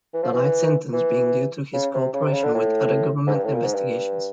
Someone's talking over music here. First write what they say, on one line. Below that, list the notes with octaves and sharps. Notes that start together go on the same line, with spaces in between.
The light sentence being due to his cooperation with other government investigations.
E3
F3
E3
E3
C#3
C3
C#3
C3
C#3
D3
A2
G#2
G2
A2
A#2
G#2
G2